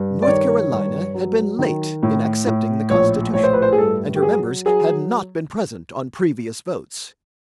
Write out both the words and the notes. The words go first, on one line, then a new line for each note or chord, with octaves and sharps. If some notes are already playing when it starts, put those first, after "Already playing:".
North Carolina had been late in accepting the Constitution, and her members had not been present on previous votes.
Already playing: G2
D5
D#3 C#5
G2
F#3
D#3
A2
A2
A#1 C#5
A2 C#5
C5
B4
C5
G#4
G2 A4
G4
F#3 G#4
F#3 G#4